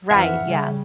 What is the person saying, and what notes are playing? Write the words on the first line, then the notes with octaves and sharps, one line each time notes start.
Right, yeah.
F2 E3 E5 F#5 F6
C#3 G3